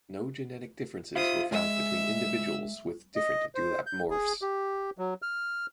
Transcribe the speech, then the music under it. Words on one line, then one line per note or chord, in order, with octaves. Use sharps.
No genetic differences were found between individuals with different dewlap morphs.
F4 C5 E5 F5 D#6
G#3 E5 E6
D#5
C5
G6
G#4
G4
F#3
F6